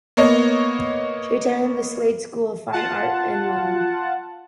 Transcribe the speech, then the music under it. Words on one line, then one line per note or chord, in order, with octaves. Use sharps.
She attended the Slade School of Fine Art in London.
A#3 B3 C#5 D#5
F4 F#5 A5